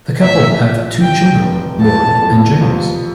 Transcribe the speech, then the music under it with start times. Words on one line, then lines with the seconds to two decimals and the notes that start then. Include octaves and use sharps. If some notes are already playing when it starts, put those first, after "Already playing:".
The couple have two children, Lauren and James.
0.20 A1 A2 F3 E5
0.61 A1 A2 F3
1.01 F1 E2 C3 E3 G5
1.41 F1 E2 C3 E3
1.81 F1 F2 E3 A3 E4 A5
2.21 F1 F2 E3 A3 E4
2.61 F2 C3 F3 B3